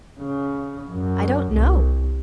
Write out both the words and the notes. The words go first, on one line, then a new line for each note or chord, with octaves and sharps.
"I don't know."
C#3
F#2
C2